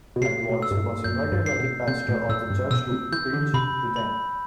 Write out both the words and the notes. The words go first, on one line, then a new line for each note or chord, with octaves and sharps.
Edwards was invited by the pastor of the church to preach to them.
B2
C3 C7
B2
E6
G2
A2
F#2 G6
G2
C7
B2
C3 G6
A2
A2 E6
G2
B2 E6
C3
E3 G6
D3
C3 B5
B5